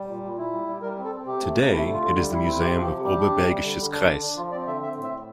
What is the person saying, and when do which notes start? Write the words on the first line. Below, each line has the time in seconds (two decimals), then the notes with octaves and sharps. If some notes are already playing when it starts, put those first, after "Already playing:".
Today it is the Museum of Oberbergisches Kreis.
Already playing: G3
0.09 A#2
0.23 A#2
0.38 E4
0.53 G3
0.67 G3
0.82 G3 A#4
0.97 C4
1.05 A4
1.12 C4
1.26 C3 G4
1.42 A3
1.57 C3
1.71 A3 E4
1.85 D3
1.93 F4
2.00 D3
2.16 G3
2.30 E4
2.46 C4
2.60 C3 G4
2.75 F3
2.82 G4
2.90 C3
3.04 G3 G4
3.19 D4
3.34 C3
3.49 G3
3.64 D3
3.79 D3
3.93 D4
4.08 D3
4.22 D4
4.37 F3 F4
4.52 C4 D5
4.66 D3 E5
4.82 C4 E5
4.97 A2
5.04 E5
5.12 A2